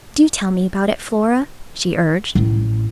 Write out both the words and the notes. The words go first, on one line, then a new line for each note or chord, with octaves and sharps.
"Do tell me about it, Flora," she urged.
A1